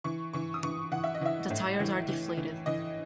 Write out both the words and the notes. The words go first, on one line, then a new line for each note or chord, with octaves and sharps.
The tires are Deflated.
E3 C#6
E3 C#6
D#6
E3 C#6
E3 F#5
E5
D#5
E3 E5
A2
E3
E3
E3
E3 D#5